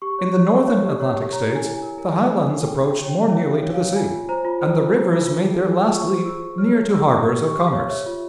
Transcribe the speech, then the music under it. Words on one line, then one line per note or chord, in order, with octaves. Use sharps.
In the Northern Atlantic States the highlands approached more nearly to the sea, and the rivers made their last leap near to harbors of commerce.
G4 C#6
C#5
C#5
C#5
C#5
G4
C#5
G4
C#5 A#5
E4
G#5
E4
G#5
A#4
A#4 G#5
C#5
C#5 G#5
E4
C#5 G5
G4
G5
C#5
G5
C#5
C#5 F5
G4
E5
C#5
F5
C#5
F4 G#5
F4
C5 A#5
F4
C5
F4
C5
F4
F4
G#4
G#4
F4
F4 C#6
C5
F4 E6
F4
C#5 F6
C#5
G4 E6
C#6
C#5 E6
G4 E6
G4
C#6
G4
F5
C#5
C#5 E5
F4